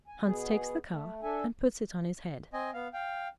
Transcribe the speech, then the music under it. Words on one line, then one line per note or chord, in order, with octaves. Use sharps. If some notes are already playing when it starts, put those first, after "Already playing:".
Hans takes the calf, and puts it on his head.
G#5
B2 B3 G#4
A3
D4 A4 E5 G#5
C4 D#5 G#5
B3 F5
F5 G5